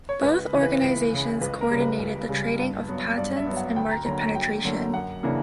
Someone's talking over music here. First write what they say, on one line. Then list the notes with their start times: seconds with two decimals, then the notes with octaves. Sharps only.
Both organisations co-ordinated the trading of patents and market penetration.
0.09 C#5
0.22 C#2 B4
0.53 C#3 E3
0.62 B4
0.82 C#2
1.12 C#3 E3
1.41 C#2 B4
1.61 A#4
1.71 C#3 G3
1.80 B4
1.99 C#2
2.29 C#3 G3
2.59 G2
2.88 F#3 B3
3.17 G2 D5
3.37 E5
3.46 F#3 B3
3.57 F#5
3.76 D2 G5
3.91 A#5
4.06 D3 F#3 A#3 A#5
4.21 A#5
4.35 D2 G5
4.65 D3 F#3 A#3
4.94 F#2 F#5
5.23 C#3 E3 A#3 D4